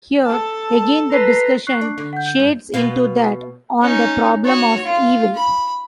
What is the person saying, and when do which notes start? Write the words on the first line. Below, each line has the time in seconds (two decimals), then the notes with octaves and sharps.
Here, again, the discussion shades into that on the problem of evil.
0.25 A4 A5
1.10 B4 A#5 C6
1.67 C#6 F#6 C7
1.81 D4
1.98 D3
2.13 F#5 G6
2.26 G6
2.40 G2
2.74 B2 F4
3.82 C#4 D#4
4.44 F#4 C#5
4.84 F4
5.34 B5